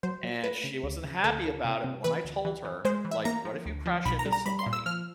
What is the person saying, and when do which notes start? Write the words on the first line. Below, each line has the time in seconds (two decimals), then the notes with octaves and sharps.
and she wasn't happy about it, but when I told her like, "What if you crash into somebody,
0.03 F#3 C5
0.23 F#3
0.44 A3 B4
0.64 C#3
0.83 D2
1.04 C#3
1.24 D2 A4
1.45 C#3
1.64 C3
1.84 C3
2.04 E3 B4
2.25 D2
2.45 E3
2.65 E3
2.85 G#3 C5
3.05 E3
3.11 E5
3.25 A#3 A#5
3.45 F3
3.65 D2
3.86 F3
4.05 B1 B5
4.19 A#5
4.25 G3
4.32 A#5
4.46 G3 B5
4.59 C6
4.66 A#2
4.73 E6
4.86 F3 F6